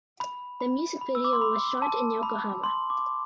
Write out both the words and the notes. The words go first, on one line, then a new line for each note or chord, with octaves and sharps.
The music video was shot in Yokohama.
B5
B5
B5
E6
D6
C6
B5
A5
B5
C6
D6